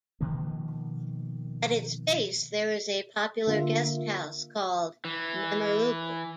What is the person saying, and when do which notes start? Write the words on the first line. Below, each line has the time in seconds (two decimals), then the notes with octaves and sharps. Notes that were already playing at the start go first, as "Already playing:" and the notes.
At its base there is a popular guest house called Memurubu.
0.21 B2 D#3 F3 A#3
3.47 D3 A#3 F4 E5
5.05 E3